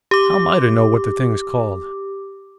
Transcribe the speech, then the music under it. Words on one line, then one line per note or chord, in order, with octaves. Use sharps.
'How am I to know what the thing's called?
G4 D6